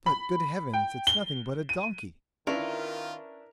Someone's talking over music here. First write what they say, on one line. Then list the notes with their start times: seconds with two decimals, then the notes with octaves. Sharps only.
'But, good heavens, it's nothing but a donkey!'
0.06 B5
0.73 G5
1.07 G7
1.69 D#7
2.47 D#3 C#4 D4 E4 F4 A#4 B4 E5